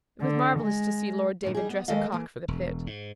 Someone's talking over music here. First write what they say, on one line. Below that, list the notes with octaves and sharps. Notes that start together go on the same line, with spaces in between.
It was marvellous to see Lord David dress a cock for the pit.
D3
G#3
G2 A#2 D#3
G3 D#4 G#4
B3
D#2 D#3 G#3 A4 D#5 F5
E3 A#3
E1
G#2